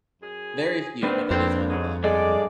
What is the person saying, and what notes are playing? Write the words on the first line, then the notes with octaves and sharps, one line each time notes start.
Very few, but that is one of them.
F#2 G#4
A#3 C4 D4 B4
F2 C4
G#2 F#3 G#3
G2 G#3 G#4 A4 D5